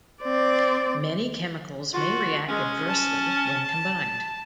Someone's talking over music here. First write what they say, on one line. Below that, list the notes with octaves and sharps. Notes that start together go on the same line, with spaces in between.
Many chemicals may react adversely when combined.
C4 D5
F4 F#4
G#3 C#4
A5